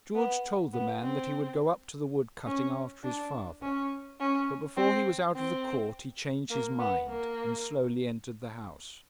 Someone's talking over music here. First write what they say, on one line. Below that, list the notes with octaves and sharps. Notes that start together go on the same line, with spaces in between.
George told the man that he would go up to the wood-cutting after his father; but before he was out of the court he changed his mind and slowly entered the house.
B3
B3
C4
C#4
D4
C#4
C#4
C4
C4
A#3
B3
A#3